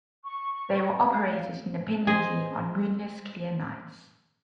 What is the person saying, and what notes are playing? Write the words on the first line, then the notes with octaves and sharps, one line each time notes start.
They were operated independently on moonless clear nights.
C#6
F5
G#4 C5 D#5 G#5